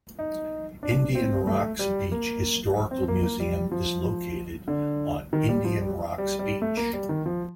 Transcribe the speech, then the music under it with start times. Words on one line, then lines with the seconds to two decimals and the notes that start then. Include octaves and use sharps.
Indian Rocks Beach Historical Museum is located on Indian Rocks Beach.
0.19 D#4
0.83 D4
1.15 C4
1.47 A3
1.79 G3
2.12 A#3
2.91 C4
3.08 A#3
3.23 A#3
3.40 G3
3.71 F3
4.68 D3
5.33 D#3
5.49 G3
5.65 F3
5.81 G3
6.18 G3
6.39 G3
6.62 A3
6.77 A#3
6.93 G3
7.09 D#3
7.26 F3